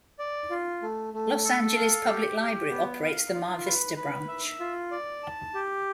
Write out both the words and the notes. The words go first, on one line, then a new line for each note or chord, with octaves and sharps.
Los Angeles Public Library operates the Mar Vista Branch.
D5
F4
A3
A3
A4
F5
G4
G4
B3
F5
F4
B4
B4
E5
F4
D5
A5
G4